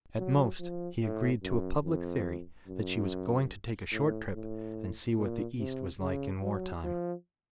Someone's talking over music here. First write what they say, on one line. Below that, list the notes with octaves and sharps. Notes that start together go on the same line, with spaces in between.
At most he agreed to a public theory that she was "going to take a short trip and see what the East was like in wartime."
F#3
F3
A2
F#2
F2
F#2
A2
A2
A#2
C3
C#3
F#3
F3